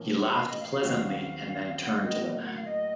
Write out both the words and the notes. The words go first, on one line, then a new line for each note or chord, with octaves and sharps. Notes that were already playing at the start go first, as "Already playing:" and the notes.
He laughed pleasantly and then turned to the man.
Already playing: A1 A2 F3 A#3 C#4
F#5
F5
D#5
F5
D#2 C#3 F#3 C4 F#4
F#5
F5
A2 F#3 A#3 D#5
F#5
F5
D#5